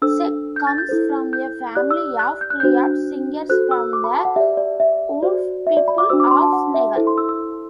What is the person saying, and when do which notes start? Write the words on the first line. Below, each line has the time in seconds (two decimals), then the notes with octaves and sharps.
Seck comes from a family of "griot" singers from the Wolof people of Senegal.
0.02 D4 A4 C5 E6
0.56 G6
0.67 A6
0.78 G6
0.89 E4 A4 C5
1.33 G6
1.75 G4 D5 F#6
1.91 E6
2.19 F#6
2.41 G6
2.50 F#6
2.60 D4 F#4 C5 G6
3.49 F#4 A4 C5 F#6
3.71 E6
3.93 D6
4.04 B5
4.14 A5
4.25 F#5
4.36 G4 D5 E5
4.57 D5
4.80 E5
5.23 F#4 C5 D5
5.67 E5
5.77 D5
5.88 B5
5.98 D6
6.10 D4 F#4 C5 E6
6.20 D6
6.31 C6
6.42 A5
6.53 F#5
6.74 E5
6.96 E4 A4 C5
7.07 C6
7.18 E6
7.29 E6